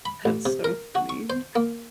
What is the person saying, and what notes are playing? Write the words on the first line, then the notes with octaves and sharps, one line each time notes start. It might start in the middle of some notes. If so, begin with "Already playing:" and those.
That's so funny.
B5
A1
C3
A#4
F#4
C#6
C5
A#3